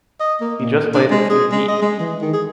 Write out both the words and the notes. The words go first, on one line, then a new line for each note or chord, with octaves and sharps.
He just played in team B.
D#5
A#3
A#2
D4
G#3
G#4
G#3
D#5
G#3
E3
D#3
G#4